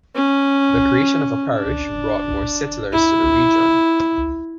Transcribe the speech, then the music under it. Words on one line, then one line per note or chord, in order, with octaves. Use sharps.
The creation of a parish brought more settlers to the region.
C#4
D4
E4